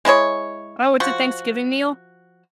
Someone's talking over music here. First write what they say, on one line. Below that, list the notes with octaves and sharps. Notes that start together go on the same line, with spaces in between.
Oh, it's a Thanksgiving meal?
G#3 E4 G#4 C#5
F3 F#4